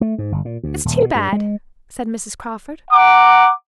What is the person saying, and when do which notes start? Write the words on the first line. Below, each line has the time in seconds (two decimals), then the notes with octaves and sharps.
"It's too bad," said Mrs. Crawford.
0.01 A3
0.18 G#2
0.32 G1
0.45 A#2
0.63 D2
0.85 D#1
1.01 B2
1.15 G2
1.33 G#3
2.91 F#5 A#5 D6